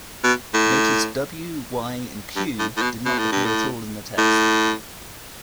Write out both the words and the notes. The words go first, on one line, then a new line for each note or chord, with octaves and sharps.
Notice "w", "y", and "q" did not appear at all in the text.
B2
A2
G2
A2
A2
B2
B2
A2
G2
A2
A2